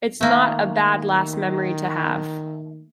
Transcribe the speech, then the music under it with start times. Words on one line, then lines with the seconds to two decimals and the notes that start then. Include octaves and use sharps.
It's not a bad last memory to have.
0.21 D#3 A3 A#3